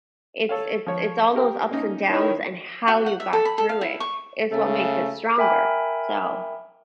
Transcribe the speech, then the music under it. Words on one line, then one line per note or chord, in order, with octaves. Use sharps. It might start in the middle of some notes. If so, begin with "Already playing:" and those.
it's it's it's all those ups and downs, and how you got through it, is what makes it stronger. So,
A4 C#5 F5
F3 C#5
G4 A#4 G5
A#3 C#4 D#4
D#3 E4 C#5
F#4
F#5
E5
A4
B5
A4
F5
E4
C#6
C#3 A3
A#4 E5 G5 G#5 B5